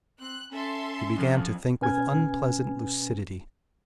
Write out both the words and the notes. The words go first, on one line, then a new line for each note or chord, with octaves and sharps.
She began to think with unpleasant lucidity.
C4 F#6
C#4 A4 E5 C6
F2
B2 C#4 B4 G#5 F6 G#6